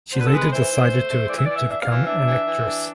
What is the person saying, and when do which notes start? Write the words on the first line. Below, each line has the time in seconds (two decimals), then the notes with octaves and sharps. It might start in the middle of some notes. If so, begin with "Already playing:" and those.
She later decided to attempt to become an actress.
0.12 D3 C5
0.20 B4
0.27 A4
0.32 G#3 B4
0.52 E3 C5
0.71 E3
0.90 A3
1.10 A3
1.29 E3 D5
1.37 E5
1.45 E3 D5
1.56 E5
1.68 D4 E5
1.81 F5
1.88 E3
2.07 D4 E5
2.26 E3
2.46 E3
2.66 D4